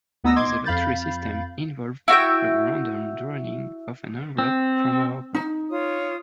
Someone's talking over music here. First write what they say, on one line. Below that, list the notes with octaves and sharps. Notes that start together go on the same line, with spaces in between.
The lottery system involved a random drawing of an envelope from a hopper.
D2 B3 D#4 D#6 E6 A#6
D#5 C6 D6 G#6
F2 F5 B5 G6 A6
E4 F#4 E5 G5
C4
D#4
F4 C#5 D#6